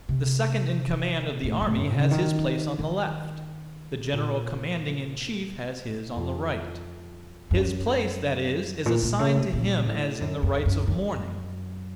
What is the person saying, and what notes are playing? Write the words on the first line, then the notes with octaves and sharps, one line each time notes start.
The second in command of the army has his place on the left; the general commanding in chief has his on the right;--his place, that is, is assigned to him as in the rites of mourning.
C3
A2
A2
F#2
C#3
D#3
D#3
A#2
F2
F#2
A#2
A#2
C#3
C3
A#2
A2
F#2
F#2
F#2
F#2